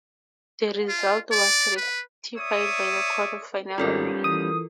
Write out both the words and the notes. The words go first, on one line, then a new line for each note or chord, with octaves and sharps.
The result was ratified by the Court of Final Appeal.
F4
D5
B4
C#5 D5 E5 D#6
G#1 G3 B3 C#4 F4 A4 A#4
E3 D#6